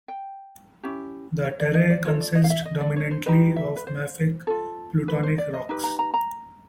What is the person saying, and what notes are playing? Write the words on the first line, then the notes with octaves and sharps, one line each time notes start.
The terrae consist dominantly of mafic plutonic rocks.
G5
C#4 E4 G4
C#5
D5
D#5
D5
F4 A4 C#5
D5
D#5
F5
E5
D#5
D5
C#5
C5
D#4 G4 B4 D#5
E5
B4
C5
F4 A4
B4
C5
D5
D#5
D#4 G4 B4
A#5
A#5
A#5